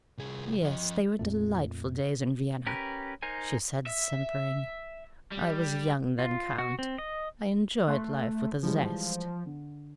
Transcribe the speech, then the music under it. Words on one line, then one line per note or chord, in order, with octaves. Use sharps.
'Yes, they were delightful days in Vienna,' she said, simpering; 'I was young then, Count; I enjoyed life with a zest.'
C2 G#4
F3 D#5
F2 A#2 A3
C#4 G4 A#4 B4
D#4 A#4 C5 G#5
E5
G3
F4
F#4
C4
D#5
A3 A5 C6 F#6
E3 F3 G3 G#3
D3